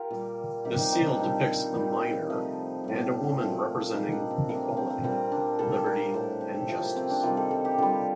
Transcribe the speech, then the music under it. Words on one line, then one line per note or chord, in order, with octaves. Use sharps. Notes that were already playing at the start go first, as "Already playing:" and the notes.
The seal depicts a miner and a woman representing equality, liberty and justice.
Already playing: F4 G4 A#4
A#2 G3
C3 D#3 G3 G4
D#4
C4
D4
A#2 G3 D#4
A#2 G3
C3 F3 A3 D#4
A2 G3
A#2 F3 A3
A#2 G3 D#4
D4
C4
C3 F3 A3 A#3
C4
C4
A#3
A#2 G3 C4
D4
A#2 G3 A4
A#4
A2 A3 C5
G4
A4
C3 F3 A3 F4
A#3
C4
D4
C3 D#3 G3 F4
A4
A4
G4
D3 G3 F4